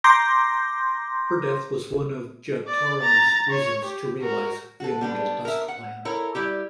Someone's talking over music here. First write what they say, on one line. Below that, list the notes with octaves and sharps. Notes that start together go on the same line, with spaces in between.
Her death was one of Jyotaro's reasons to realise the Immortal Dusk plan.
A#5 C6 D6 G6 A#6
D5
A#5 A6
C#5
G4
F#4 A#4
F#4 A4
G3 B3 D4
A#4 E5
F#5
E4 A4 A#4 C#5
G3 E4 G4